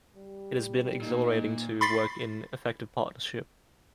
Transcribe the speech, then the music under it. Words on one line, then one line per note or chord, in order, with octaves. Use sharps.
It has been exhilarating to work in effective partnership.
G3
A#2 D#4
B5 C6 A6 B6 C7